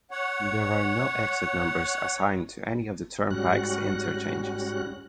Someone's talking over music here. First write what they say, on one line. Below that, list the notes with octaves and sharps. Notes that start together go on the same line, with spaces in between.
There are no exit numbers assigned to any of the turnpike's interchanges.
C#5 F#5
G#2 G3 C#4 F#4 F#6